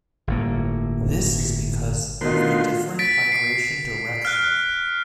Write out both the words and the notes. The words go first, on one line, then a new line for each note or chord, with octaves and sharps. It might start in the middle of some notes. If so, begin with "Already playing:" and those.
This is because of the different migration direction.
G1 A2 A#3
B2 D#3 A3 B3 D4 F4 A#4 C6
A6 B6 D7
C7
F6 F#6